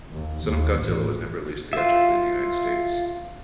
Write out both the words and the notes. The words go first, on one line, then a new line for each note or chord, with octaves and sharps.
"Son of Godzilla" was never released theatrically in the United States.
D#2
D#2
A1
F4 E5